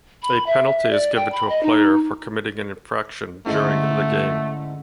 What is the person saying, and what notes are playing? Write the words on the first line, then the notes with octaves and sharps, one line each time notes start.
A penalty is given to a player for committing an infraction during the game.
B5
E5
D5
G5
B5
D#5
D#4
G#2 D3 A3 C#4 E4